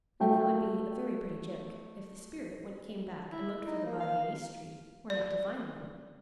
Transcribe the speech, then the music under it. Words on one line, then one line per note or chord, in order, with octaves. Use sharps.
Now that would be a very pretty joke, if the spirit when it came back and looked for the body in East Street, were not to find one.
F#3 A3 G5
E4
D#4
A#3
F5
D5